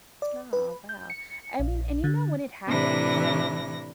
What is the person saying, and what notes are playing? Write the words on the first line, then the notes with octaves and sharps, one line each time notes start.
Oh, wow. I mean and you know, when it happens
D5
B4
G6
C#7
A#1
D3
A2 C3 E3 D4 E4 A#6